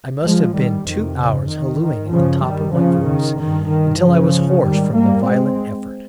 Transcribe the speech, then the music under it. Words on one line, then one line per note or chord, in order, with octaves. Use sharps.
I must have been two hours hallooing at the top of my voice, until I was hoarse from the violent effort.
F3 G#3
D#3 G3
F2 C3 D#3
C#3
D#3
D#3
G2 C#3 F3
D#3 G3
C#3 F3
D#3
G2 D#3
D#3
C#3 F3
G#2 D#3 G3
G3 A#3
G#3 C4